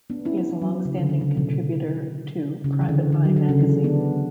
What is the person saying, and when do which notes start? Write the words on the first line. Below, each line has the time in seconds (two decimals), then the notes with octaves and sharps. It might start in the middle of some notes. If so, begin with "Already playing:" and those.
He is a long-standing contributor to "Private Eye" Magazine.
0.10 B3 D4
0.25 C#4 E4
0.37 C#4 E4
0.50 G3
0.62 F#3
0.85 C#3
0.98 D3
1.09 D3
1.21 C#3
1.37 B2
1.53 B2
2.64 C#3
2.81 E3
2.89 D3
3.12 D3
3.25 F#3
3.37 D3
3.49 C#3
3.61 E3
3.84 B3 D4